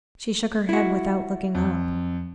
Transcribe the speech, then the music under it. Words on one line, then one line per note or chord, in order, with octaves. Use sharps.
She shook her head without looking up.
E4 F#4
F2